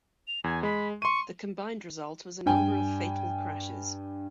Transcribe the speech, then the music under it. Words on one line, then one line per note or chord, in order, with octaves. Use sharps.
The combined result was a number of fatal crashes.
F7
E2 G#5
G#3 B5
C6 C#6 D#7
G2 G5 G#5